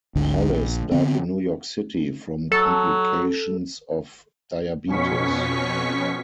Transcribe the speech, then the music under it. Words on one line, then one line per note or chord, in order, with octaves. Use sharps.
Hollis died in New York City from complications of diabetes.
G#1 D2 D3
A#1
D3 B3 C4
F#3 A4
F2 B2 C#4 C#6 B6